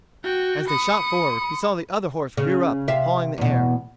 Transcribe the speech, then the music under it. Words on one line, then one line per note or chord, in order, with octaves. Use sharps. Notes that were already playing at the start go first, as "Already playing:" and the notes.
As they shot forward, he saw the other horse rear up, pawing the air.
F#4 G5
B5 D#6 C#7
C#3
C3 E5 F5
E2 B2